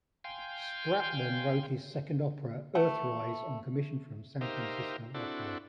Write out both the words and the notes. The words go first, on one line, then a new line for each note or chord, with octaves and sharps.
Spratlan wrote his second opera, "Earthrise", on commission from San Francisco Opera.
F5 G5 G#5 C6 G6
A3 F#5
D#4 G4 A#4 C5 E5 F5
C4 D4 E4 F#4 A4